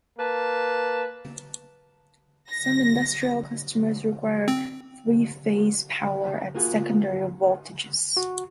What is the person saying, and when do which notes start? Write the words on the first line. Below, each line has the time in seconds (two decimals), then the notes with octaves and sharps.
Some industrial customers require three-phase power at secondary voltages.
0.19 A#3 B4 A5
2.50 A#6
4.48 C4
6.55 A#3 F4 F#4 G#4
8.17 F#4